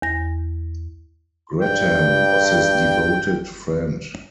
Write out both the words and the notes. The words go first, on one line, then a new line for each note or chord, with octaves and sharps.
Grattan was his devoted friend.
E2 A#6
G2 G5